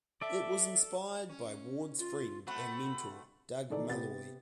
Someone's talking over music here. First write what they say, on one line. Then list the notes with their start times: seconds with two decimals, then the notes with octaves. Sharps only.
It was inspired by Ward's friend and mentor, Doug Malloy.
0.21 A4 D5 E5
1.29 C#4
1.99 F4
2.47 A3 C4 F#4 B5
3.70 C3 D#3 E3 D#4 A4 D5
3.90 C3 B3 G4 A6